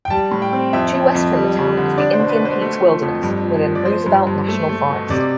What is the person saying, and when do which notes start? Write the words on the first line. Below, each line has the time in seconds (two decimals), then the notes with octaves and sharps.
Due west from the town is the Indian Peaks Wilderness within Roosevelt National Forest.
0.05 G5
0.10 G3 A5
0.31 A2
0.42 G5
0.53 C4
0.73 F2 E5
0.94 F2
1.15 F2
1.36 G3
1.57 G3
1.77 D3
1.98 D4 D5
2.13 C5
2.19 B2
2.29 B4
2.40 B2
2.45 C5
2.61 A3
2.81 F3
3.02 F2
3.23 G2
3.43 F3
3.65 F3
3.75 D5
3.85 F3 C5
4.06 G2
4.27 G2
4.48 A3
4.69 A3
4.90 B2
5.10 C3 D5